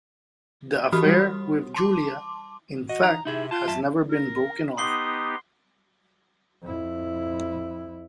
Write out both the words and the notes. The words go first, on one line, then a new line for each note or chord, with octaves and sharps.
The affair with Julia, in fact, has never been broken off.
E3 F#4 G4 B5 D#6 F6
G3
A5 C6 D6
F#4 D#5
D#4 A#5
C3 D#4 E4 G#4
F4 A5
F#2 E5 A5
A#4
B3 D#4 G4 C6 D#6 C7 G7
F2 E4